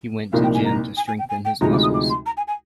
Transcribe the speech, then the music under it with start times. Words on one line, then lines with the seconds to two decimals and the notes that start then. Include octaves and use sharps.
He went to gym to strengthen his muscles.
0.32 C2 A#2 F3 A#3 D#4 F5
0.43 G5
0.54 G#5
0.65 A#5
0.97 G#5
1.07 G#5
1.19 G5
1.29 G#5
1.45 G5
1.61 D2 C3 F3 G#3 D#4 A#5
1.72 D6
1.83 D#6
1.94 D6
2.10 C6
2.26 A#5
2.37 G#5
2.47 G#5